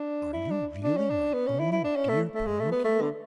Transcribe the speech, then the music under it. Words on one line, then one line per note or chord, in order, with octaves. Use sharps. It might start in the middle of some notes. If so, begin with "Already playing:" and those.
"Are you really my own dear Pinocchio?"
Already playing: D4
E4
D4
D4
C#4
D4
B3
C#4
E4
E4
D4
C#4
A3
A3
G#3
A3
B3
A3
D3